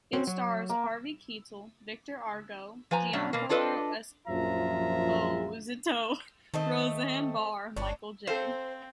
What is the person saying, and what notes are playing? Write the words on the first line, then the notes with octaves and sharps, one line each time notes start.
It stars Harvey Keitel, Victor Argo, Giancarlo Esposito, Roseanne Barr, Michael J.
C4 C#4 F#4
F#3
A#3
F3 B4 G#5 A#5
G2 B2 F#3 C#4 D4
B2 A#3
D4 F4 A4 B4 D#5
A#1 F#2 F3 F4 E5 A#5
D#3 A3 C4 D#5
G1 C#4 D4
C4 A4 C5 F5